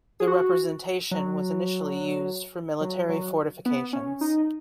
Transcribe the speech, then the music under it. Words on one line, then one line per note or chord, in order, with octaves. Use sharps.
The representation was initially used for military fortifications.
G#4
F#4
F#3
F#3
F#3
B3
C#4
D#4